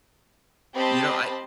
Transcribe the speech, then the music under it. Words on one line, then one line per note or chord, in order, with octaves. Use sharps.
You know, I, uh
C4 G4 D#5 A5 B5 C6